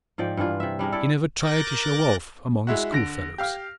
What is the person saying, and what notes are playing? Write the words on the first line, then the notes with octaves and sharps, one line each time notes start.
He never tried to show off among his schoolfellows.
G#2 F3 D5 G5
G2 E3 D4 F4
C3 E5
G3 D4 G#4 A#4
E4 A4 D5
A#4 D6 F#6 G6 A6 A#6
G#3 E4 F#4
D3 A#6 D7
G4 F5 F6